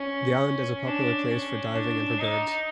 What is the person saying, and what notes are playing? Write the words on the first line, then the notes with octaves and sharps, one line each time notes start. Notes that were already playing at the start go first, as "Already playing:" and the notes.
The island is a popular place for diving and for birds.
Already playing: C#4
D4
C#4
D4
D#4